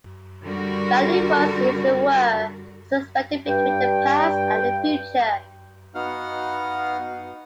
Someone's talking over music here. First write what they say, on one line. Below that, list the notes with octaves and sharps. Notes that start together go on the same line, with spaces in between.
Value was, as it were, suspended between the past and the future.
D3 G3 F#4 A#4
G2 G5
B3 D#4 F#4 F5 F#5 F6